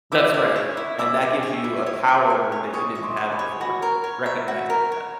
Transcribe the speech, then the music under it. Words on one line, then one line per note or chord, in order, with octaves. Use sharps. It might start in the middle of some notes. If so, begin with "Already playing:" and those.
That's right, and that gives you a power that you didn't have before, recognizing that.
E4 D6 E6
G#4
C#5
E4
E4 D6 E6
G#4
C#5
E4
C#5
E5
G#5
C#5
C#5 C#6 D#6
E5
C6 D6
G#5
B5 C#6
C#5
F#4 B5 C#6
A#4
C#5
E5
F#4
A#4
C#5